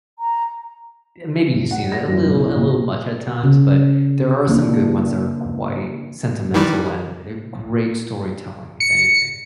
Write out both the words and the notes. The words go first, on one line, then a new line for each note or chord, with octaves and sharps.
uh, maybe you've seen it a little a little much at times, but there are some good ones that are quite sentimental and uh, great storytelling, if anything.
A#5
F1
F#5
A#6
F#2
B1
E4
A#1
C#3
E3 A#3 D4
D#3 E3 G3
C#7